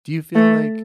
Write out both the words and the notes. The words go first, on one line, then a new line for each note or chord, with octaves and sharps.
Do you feel like
A3